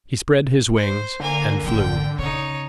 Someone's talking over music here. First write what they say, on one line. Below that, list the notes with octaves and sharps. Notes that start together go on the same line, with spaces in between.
He spread his wings and flew.
C5
D3 A#3 G#5
G#1 E3 G5
C#3 D#4 C#5